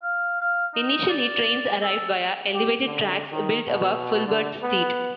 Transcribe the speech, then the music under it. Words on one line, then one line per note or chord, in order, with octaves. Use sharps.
Initially, trains arrived via elevated tracks built above Filbert Street.
F5
F5
D#4
D5
A4
G4
D3
D#3
B2
D3
B3